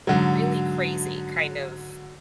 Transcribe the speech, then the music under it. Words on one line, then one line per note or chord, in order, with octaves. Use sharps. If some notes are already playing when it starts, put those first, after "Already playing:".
really crazy kind of,
G#2 D3 F#3